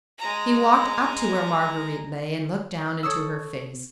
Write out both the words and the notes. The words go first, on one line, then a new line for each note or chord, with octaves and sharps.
He walked up to where Marguerite lay, and looked down into her face.
G#3 A#5
A4 C#5 D#6 E6